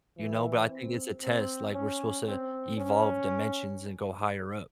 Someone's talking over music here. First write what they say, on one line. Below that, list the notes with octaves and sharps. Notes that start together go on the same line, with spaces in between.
you know? But I think it's a test. Like, we're supposed to evolve dimensions and go higher up.
E3
C4
C4
C#4
C4
C#4